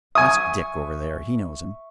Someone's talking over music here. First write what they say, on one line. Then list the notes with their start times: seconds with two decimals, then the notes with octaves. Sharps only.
"Ask Dick over there; he knows him."
0.15 E5 G#5 C#6 D#6